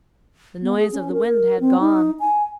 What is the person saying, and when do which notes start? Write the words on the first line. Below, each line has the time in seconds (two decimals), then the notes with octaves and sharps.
The noise of the wind had gone.
0.62 B3
0.76 G#4
0.93 C#4
1.12 A#4
1.60 C4
1.80 D#4
2.20 G#5